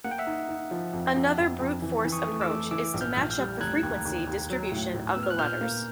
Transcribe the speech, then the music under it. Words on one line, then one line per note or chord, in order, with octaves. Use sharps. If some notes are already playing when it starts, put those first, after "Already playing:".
Another brute force approach is to match up the frequency distribution of the letters.
A#3 F#5
G5
E5 F#5
D#4
D#4
F3
F2
F2
F2
F2
E3
E3
C#6 D#6
A3
D6 E6
A3
E3 D6 E6
A#1
F6 G6
A#1
F6 G6
G3
F1 F#6 G#6
D#2
D#2
D#2
F#3
A2
A2
B3 E6
F6
F#6
A#2 F6 G6
A#3